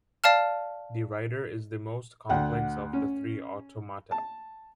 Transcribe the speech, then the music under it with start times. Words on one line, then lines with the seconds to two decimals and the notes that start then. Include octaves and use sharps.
The writer is the most complex of the three automata.
0.24 D5 F5 A5 F6
2.29 D2 F#5 G5
2.93 C#4
4.11 A5